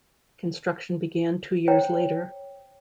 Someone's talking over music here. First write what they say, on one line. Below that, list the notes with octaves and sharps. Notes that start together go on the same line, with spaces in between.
Construction began two years later.
C5 C#5 G5 A#5